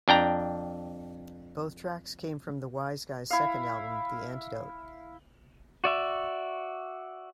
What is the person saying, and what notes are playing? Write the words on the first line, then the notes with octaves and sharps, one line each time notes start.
Both tracks came from The Wiseguys second album, "The Antidote".
F2 D4 G5 A#5
E4 F5
F#4 D5 E5 C#6